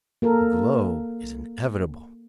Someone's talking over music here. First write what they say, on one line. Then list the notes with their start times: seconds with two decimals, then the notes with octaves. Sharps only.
The globe is inevitable.
0.22 A#3 A4 A#4